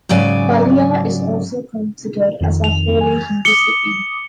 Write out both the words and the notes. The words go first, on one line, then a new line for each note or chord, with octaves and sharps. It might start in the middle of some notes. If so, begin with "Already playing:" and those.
Ballia is also considered as a holy Hindu city.
G#2 C#3 F#3 D5 G#5
F2 D#3
F7
G#5
D6 D#6 C#7 G7